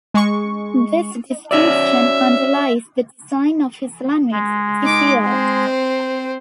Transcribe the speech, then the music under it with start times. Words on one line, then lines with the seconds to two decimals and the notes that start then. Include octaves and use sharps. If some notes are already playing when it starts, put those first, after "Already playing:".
This distinction underlies the design of his language Tcl.
0.14 G#3 C#6
1.51 C#4 F#4 D5 E5
4.31 G#3
4.83 D#4 D6
5.24 C4 C5